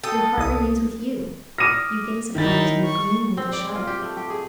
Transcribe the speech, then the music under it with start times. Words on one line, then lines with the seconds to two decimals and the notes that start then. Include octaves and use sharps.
Your heart remains with you, you gaze upon it in the gloom with a shudder.
0.03 A4 G5 D#6
0.38 C2 D#6
1.58 D6 D#6 F6 A#6 D#7
2.35 D#3 D#4 E4 A6
2.85 C#6
3.37 C4
3.52 D5
3.75 F4
3.87 G4
4.02 A3
4.17 G4
4.30 G#4